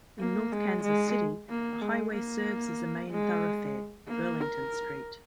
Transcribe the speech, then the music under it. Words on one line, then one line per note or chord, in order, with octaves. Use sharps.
In North Kansas City, the highway serves as a main thoroughfare, Burlington Street.
A#3
G#3
G#3
A#3
G#3
A#3
G#3
A#3
A#4